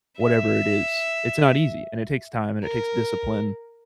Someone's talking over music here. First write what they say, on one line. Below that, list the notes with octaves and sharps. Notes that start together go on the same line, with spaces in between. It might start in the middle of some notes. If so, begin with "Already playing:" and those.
whatever it is. It's not easy, and it takes time, and it takes discipline,
E5
A#4